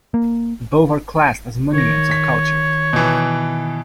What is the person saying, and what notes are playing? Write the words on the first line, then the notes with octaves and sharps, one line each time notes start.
Both are classed as monuments of culture.
A#3
D#3 C#5 A#6
B6
B2 E3